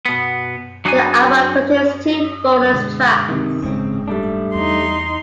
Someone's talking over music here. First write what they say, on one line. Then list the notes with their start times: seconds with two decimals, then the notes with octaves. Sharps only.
The album contains two bonus tracks.
0.06 B2 B3
0.85 F#3 D4 D#4 F#4 G#4 G#5
2.73 B2 D3 G#3
3.29 C3 D#3
3.62 D#1 G#2 C#3 G#3 C4
4.08 G3 A3 D4
4.55 E2 D#4 C6